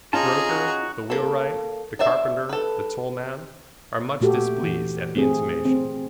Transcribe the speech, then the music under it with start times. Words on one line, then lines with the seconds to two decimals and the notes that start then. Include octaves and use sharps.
The broker, the wheelwright, the carpenter, the toll-man, are much displeased at the intimation.
0.13 C#4 D#4 F4 G#4 A5 A#5 D#6
0.49 F#4
1.10 A#3 A4
1.99 D4 C5 D5 E5
2.49 A4 B4
4.21 A#2 A3 F#4 G4 A4
4.63 E3
5.15 A3 C4 G#4
5.65 C4